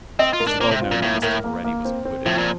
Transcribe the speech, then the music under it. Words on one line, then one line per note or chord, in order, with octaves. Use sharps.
It is well known that Mr. Baretti was acquitted.
C4 D#5
F4
A#4
D4
A#3 C4
C3
F4
A#2
A2 A#3
A2 A#4
A#3
A#3
C4
C4
A2 F3
A#2